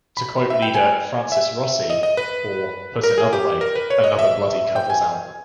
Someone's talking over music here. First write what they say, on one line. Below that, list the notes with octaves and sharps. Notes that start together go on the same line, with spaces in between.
To quote leader Francis Rossi, 'Or, put another way, another bloody covers album!
B5
E5
G5
G#5
E5
D#5
D#5
B4
A#4
G#4
G4
A#4
B4
C#5
D#5
E5
G5
G#5